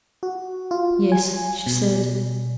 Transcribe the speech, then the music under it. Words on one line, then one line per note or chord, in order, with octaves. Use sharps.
"Yes," she said.
F#4
F4
G#5
B2